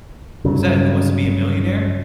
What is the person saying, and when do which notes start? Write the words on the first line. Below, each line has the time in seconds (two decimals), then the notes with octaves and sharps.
was that, Who Wants to Be a Millionaire?"
0.44 G2 C#3 F#3